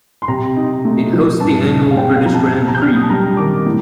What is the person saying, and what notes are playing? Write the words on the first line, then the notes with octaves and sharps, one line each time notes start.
It hosts the annual British Grand Prix.
C6
C3 A#5
D#4
A3
F3
G2 A5
D#4
F5
C4 G5
F5
F3 A#5
A5
C3
A#5
G6
D4 F6
D#6
A5
G3 A#5
D#3 D6
A2